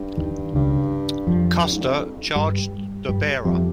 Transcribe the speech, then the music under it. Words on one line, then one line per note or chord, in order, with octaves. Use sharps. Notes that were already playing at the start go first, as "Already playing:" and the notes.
Custer charged the bearer.
Already playing: G2
D#2 D#3
C#2 G2 C#3
F2 F3
G2
G#2
G2
F2
G2 G3
G2 G3
F2 C3 F3